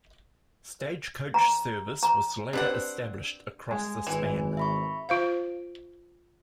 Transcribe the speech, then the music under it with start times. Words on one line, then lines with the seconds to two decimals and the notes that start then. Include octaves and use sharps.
Stagecoach service was later established across the span.
1.34 A#5
2.03 A#5
2.53 C4 D4 G4 B4 C5 F#5
3.71 G#3 G#5
4.07 G#1 E3
4.57 E5 B5 C#6
5.09 F4 C5 F5